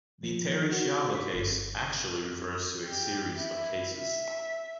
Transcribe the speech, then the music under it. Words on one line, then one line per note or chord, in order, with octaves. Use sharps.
The "Terri Schiavo case" actually refers to a series of cases.
F3
F#4
B6
G1
G4
E4
E5